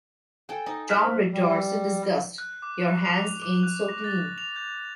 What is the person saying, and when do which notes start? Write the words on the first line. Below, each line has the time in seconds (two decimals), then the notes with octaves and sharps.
Tom retorts in disgust: Your hands ain't so clean.
0.49 A4 G5 G#5
0.66 D#4
0.89 F6 F#6 B6
1.02 C5
1.33 G3
2.38 F#6
2.62 D6
2.81 C#6
3.05 F7
3.42 D6
3.63 F#6
3.89 A#6
4.04 A6
4.38 F7
4.56 G6